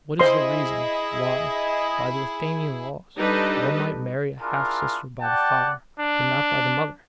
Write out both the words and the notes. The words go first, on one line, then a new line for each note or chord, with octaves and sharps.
What is the reason, why, by the Athenian laws, one might marry a half-sister by the father, but not by the mother?
E4 G#4 C5 D#5 C6
G3 D4 D#4 A4 B4 D#5
D4 E4 F4 G#4 A#4
G3 D5 F#5 G5 A5
D4